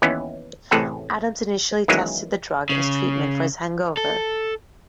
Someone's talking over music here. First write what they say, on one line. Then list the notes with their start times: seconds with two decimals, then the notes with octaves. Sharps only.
Adams initially tested the drug as treatment for his hangover.
0.02 D#2 E3 B3 C#4
0.71 A1 A2 C3 G#4 A4 F#5
1.88 D#3 E3 F#3 G#3 A#3 C#4
2.70 C#3
3.97 A4